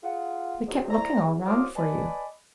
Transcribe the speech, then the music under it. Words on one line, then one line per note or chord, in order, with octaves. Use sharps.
"We kept looking all round for you."
F4 G#4 F#5
E2 G2 C3 F#3 C4 D#5
E4 C5 D5 A#5
E2
C2 F#3 C5 F5 D6 D#6
B4 D5 D#5 G#5 A5 B5